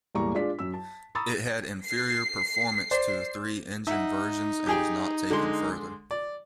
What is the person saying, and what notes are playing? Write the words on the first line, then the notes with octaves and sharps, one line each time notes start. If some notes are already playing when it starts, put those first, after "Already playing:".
It had inferior performance to the three engined versions and was not taken further.
E1 A2 G3 A#3 A#5 C#6
G#3 D4 F4 D5 B6
F#2 E6
A5
A#5 B5 C#6 D#6 E6 A6
C7
C5 D5
D#4 E5 F#5
G4 G#4 G5
D3 G#3 C6
D5